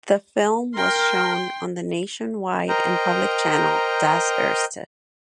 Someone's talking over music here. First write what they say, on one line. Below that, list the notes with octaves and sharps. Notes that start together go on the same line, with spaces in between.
The film was shown on the nationwide and public channel Das Erste.
A#4 G5 C6
A#4 C5 D#5 G5 A#5